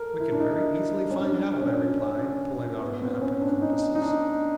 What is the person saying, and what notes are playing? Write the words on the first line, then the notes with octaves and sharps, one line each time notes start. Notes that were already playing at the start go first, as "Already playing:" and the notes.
"We can very easily find out," I replied, pulling out a map and compasses.
Already playing: A4 A#4
E4
D4
D#4
C#4
D4
C#4
C#4
B3
C4
C#4
D4
D#4
D#4
D4